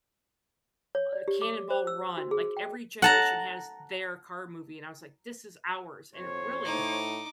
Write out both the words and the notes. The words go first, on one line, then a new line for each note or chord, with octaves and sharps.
uh, Cannonball Run, like every generation has their car movie, and I was like, "This is ours." And it really
C#5
D5
G4
D6
C5
E6
F#4
G#4
G5
F#5 A5 A#5
F2 C5 C#5
A2 D#4 D6